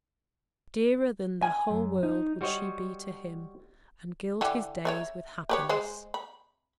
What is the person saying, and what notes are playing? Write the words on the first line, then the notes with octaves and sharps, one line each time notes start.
Dearer than the whole world would she be to him and gild his days with happiness.
G#5
F#2
D#4
G3 F#4 C5 C#5 D#5
D3 E3 G4
C#5 D5 E5
G4 B4 C#5
G#3 C5
B5